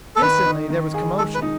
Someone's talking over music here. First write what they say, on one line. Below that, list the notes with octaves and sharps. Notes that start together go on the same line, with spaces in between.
Instantly there was commotion.
A4
D#3 B4
D#4
D#3
G#4
G#3 A4
B4
D#4